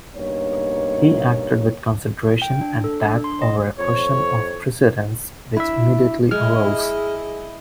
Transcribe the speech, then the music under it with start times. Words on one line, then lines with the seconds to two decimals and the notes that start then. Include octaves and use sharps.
He acted with consideration and tact over a question of precedence which immediately arose.
0.16 G2 B2 A#3 D#4 C#5
2.42 G5
2.61 D4
2.84 A4
3.06 D4
3.24 C6
3.42 D#5
3.79 F2 C#5
5.57 D4 E4 E5
6.31 G#3 E4 G#4 D#5 F6